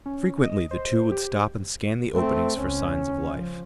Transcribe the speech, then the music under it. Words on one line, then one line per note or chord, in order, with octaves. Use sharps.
Frequently the two would stop and scan the openings for signs of life.
C#4
D#5
C5
G4
A3 C4
C#2 C#4
F3